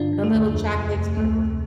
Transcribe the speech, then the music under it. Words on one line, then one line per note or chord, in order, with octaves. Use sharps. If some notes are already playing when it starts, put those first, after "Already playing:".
The little chocolate turtles?
Already playing: G2 D3 D4 F4
D3
A3
D#2
F2
C3
F2
D2 A3
C3